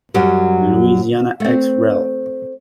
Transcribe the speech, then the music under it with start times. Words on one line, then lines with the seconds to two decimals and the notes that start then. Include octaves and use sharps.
Louisiana ex rel.
0.14 F#2 F#3 G3
1.40 A3 C4